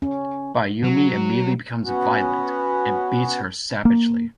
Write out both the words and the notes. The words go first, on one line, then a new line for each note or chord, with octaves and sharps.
Bayoumi immediately becomes violent and beats her saveagely.
C#4
F#3
B3 C#4 F#4
A#3